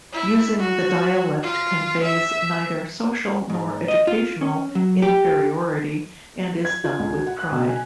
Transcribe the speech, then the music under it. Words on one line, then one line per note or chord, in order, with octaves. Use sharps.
Using the dialect conveys neither social nor educational inferiority and is done with pride.
E4
F#4
F4
E5
G#2
D#5
F4
C#4
F#3
G4
G#6
F4
C#2
F#4
F#5
F#6
B2
G#5